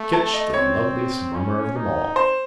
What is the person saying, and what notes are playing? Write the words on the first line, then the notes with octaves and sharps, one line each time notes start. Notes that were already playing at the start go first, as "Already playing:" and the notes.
Kinch, the loveliest mummer of them all!
Already playing: A3
A5
D#5
C4 C#5
C#4
D#4
C5